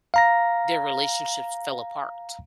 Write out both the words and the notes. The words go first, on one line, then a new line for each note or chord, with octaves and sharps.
their relationships fell apart
F5 A#5 A#6